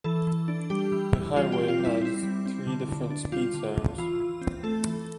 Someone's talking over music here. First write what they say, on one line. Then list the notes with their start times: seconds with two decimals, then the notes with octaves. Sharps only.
The highway has three different speed zones.
0.04 E3 A4
0.27 E3
0.48 D4
0.70 G3 G4
0.92 E3
1.14 E3
1.36 G3 F4
1.52 G4
1.58 C4
1.68 F4
1.79 G3
1.85 E4
2.01 C4 E4
2.23 G3
2.46 C4
2.67 D3
2.89 D3
3.10 D4
3.32 G3 F4
3.54 D3
3.76 D3
3.98 E3 F4
4.20 E3
4.41 C4
4.63 A3 A4
4.86 E3